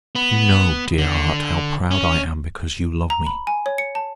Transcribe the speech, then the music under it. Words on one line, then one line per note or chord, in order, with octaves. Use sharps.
You know, dear heart, how proud I am because you love me.
B3
D3
C#4
A#5
B5
G#5
C#5
C#7
A5